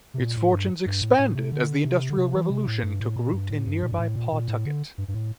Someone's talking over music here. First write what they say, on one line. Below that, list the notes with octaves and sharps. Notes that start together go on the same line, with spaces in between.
Its fortunes expanded as the Industrial Revolution took root in nearby Pawtucket.
C3
A#2
A2
G2
G2
A2
A2
C3
D3
C3
D3
C3
E3
C3
A2
G2
A2
A#2
G2
A2
G2
A#2
G2
A2
A#2
A#2
A2
D3
G2
G2
A2